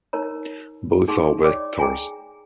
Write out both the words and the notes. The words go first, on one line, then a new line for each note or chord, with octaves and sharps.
Both are vectors.
D#4 A#4 C#5 A#5
D#4 G#4 F#5 C6 C#6
C#5 D5 G5 C#6 D6
G#4 G5 G#5 A#5